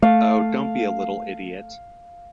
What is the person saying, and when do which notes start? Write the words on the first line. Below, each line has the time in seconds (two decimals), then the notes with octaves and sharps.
Oh, don't be a little idiot!
0.02 A3 F5